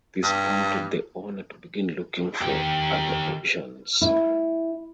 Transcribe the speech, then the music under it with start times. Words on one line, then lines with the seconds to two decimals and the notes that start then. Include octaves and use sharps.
This prompted the owner to begin looking for other options.
0.23 G2
2.41 D#3 G4
4.01 E4